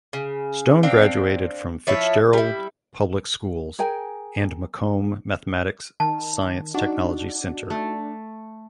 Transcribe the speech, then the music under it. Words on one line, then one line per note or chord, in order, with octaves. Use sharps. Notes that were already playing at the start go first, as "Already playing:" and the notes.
Stone graduated from Fitzgerald Public Schools and Macomb Mathematics Science Technology Center.
C#3
C4 D4 F5 G5
F3 E4 C#5 E5
G3 E4
G#4 A#4 G5 G#5
D#3 A5
D4 D#4 F#4
A3